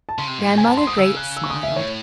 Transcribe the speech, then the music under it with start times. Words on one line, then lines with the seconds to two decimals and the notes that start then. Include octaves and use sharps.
Grandmother Great smiled.
0.09 A5
0.18 C#3 C6
0.28 C3
0.38 G#2
0.47 A2
0.58 C3 G#5
0.67 G#2 A5
0.77 F#2 C6
0.87 G#2 D#6
0.98 C#3 E6
1.17 F#6
1.37 E6
1.44 C#6
1.50 D#6
1.63 E5
1.76 A2 C#5